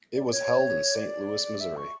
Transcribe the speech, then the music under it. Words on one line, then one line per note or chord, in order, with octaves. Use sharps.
It was held in Saint Louis, Missouri.
D5
D5
C#5
D5
E5
C#6